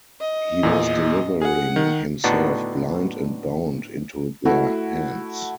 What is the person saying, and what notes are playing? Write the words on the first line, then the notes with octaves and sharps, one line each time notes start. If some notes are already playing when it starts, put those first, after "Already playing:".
He was delivering himself blind and bound into their hands.
D#5
E2 A#2
G#4 F#5
D#3
A2 D3 B3 D4 D#4 F#4
A3 E4 F#4